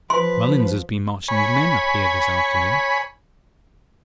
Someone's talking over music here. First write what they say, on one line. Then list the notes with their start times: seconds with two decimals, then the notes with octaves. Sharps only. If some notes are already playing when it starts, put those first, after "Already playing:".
Mullins has been marching his men up here this afternoon.
0.10 F3 B4 C6
1.28 C#5 G#5 B5